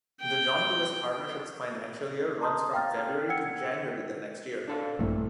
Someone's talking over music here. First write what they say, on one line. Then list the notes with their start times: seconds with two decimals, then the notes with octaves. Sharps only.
The John Lewis Partnership's financial year runs from February to January the next year.
0.21 G5
2.41 A5 A#5 C6 D#6 G6
2.73 F5 G5 A#5 F6 A6
3.29 F#5 G5 E6 G#6 C#7
4.68 D4 A4 F5
4.99 A#1 G2 A#2 A3 C4 E4